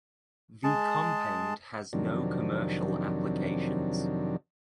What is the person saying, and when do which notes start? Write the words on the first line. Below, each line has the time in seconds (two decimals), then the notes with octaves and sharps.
The compound has no commercial applications.
0.64 G#3 G#4 A5
1.93 F2 C3 D#3 F#3 D4